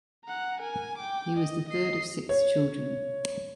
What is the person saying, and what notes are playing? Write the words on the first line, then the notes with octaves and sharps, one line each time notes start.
He was the third of six children.
F#5 A#5
A#4 G#5
G5 D6
D#5
D#5 C7
C#5